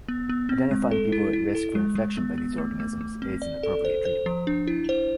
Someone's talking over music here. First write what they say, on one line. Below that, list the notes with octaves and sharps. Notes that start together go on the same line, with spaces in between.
Identifying people at risk for infection by these organisms aids in appropriate treatment.
B3
B3
C4
G#3
A4
E4
E4
A4
G#3
G#3
B3
B3
A3
A3
A3
C4
D5
A4
C5
C5
F3
D4
E4
C5